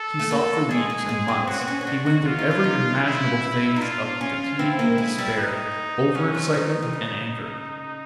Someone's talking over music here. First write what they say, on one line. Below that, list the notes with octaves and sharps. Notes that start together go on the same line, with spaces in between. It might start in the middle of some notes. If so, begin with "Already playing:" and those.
He sought for weeks and months, he went through every imaginable phase of fatigue and despair, over-excitement and anger.
Already playing: A4
A3
A#3
G#3 G#4
G#3
G#3
C4
C#4 F#4
C4
C#4
C#4
D4
D#4
F4
D#4
D4
D#4
E4
D#4
D4 F4
C#4
C4 E4
A#3
G#3
G3
D#4
F#3 C#4
F3
E3 D#4
C3
C#3